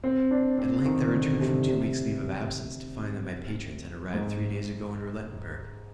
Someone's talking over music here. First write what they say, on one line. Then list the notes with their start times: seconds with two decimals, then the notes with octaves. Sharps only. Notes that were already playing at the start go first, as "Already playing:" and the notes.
At length I returned from two weeks leave of absence to find that my patrons had arrived three days ago in Roulettenberg.
0.04 C4
0.31 D4
0.58 C4
0.85 D#3
1.13 D3
1.41 C3
1.68 C3
4.13 G#2